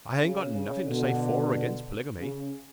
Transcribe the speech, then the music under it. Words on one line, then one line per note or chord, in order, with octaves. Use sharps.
I ain't got nothin' to say for or against polygamy.
C#3
C#3
B2 D3
C#3